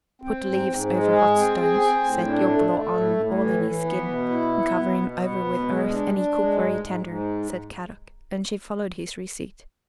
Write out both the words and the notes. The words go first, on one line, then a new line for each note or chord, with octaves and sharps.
"Put leaves over hot stones, set yopolo on, all in his skin, cover him over with earth and he cook very tender," said Kadok, and she followed his receipt.
C4
G#2
G#2
G#3
G#4
C4
G#4
C4
A2
D4
A3
A3
A2
A2
E3
E3
B3
B2
E4
B3
B2
B2
B3
B2
G#3
D4
D4
G#3
G#2
G#2
G#2